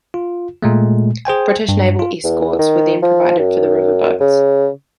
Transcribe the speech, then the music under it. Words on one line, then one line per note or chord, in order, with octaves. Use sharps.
British naval escorts were then provided for the riverboats.
F4
A#2 G#3 A3
G#4 C5 G5 G#5
G2
F4
E2
D#3
F3
F#2
C#3